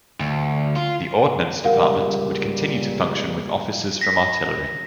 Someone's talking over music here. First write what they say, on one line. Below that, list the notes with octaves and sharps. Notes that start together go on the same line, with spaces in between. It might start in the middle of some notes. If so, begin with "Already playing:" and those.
The Ordnance Department would continue to function with officers from artillery.
D2
F4
C#2 A#2 G3 A#4 F5 F#5
A#6 B6